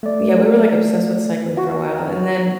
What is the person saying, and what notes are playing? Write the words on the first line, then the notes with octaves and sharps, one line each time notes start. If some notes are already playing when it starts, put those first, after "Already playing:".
Yeah, we were, like, obsessed with cycling for a while, and then
A3 D5
F#4